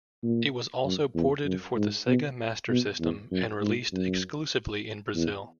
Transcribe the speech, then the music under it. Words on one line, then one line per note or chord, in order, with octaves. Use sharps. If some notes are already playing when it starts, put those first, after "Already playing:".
It was also ported for the Sega Master System and released exclusively in Brazil.
A#2
F#2
E2
F#2
G#2
B2
B2
E2
F#2
G#2
F#2
E2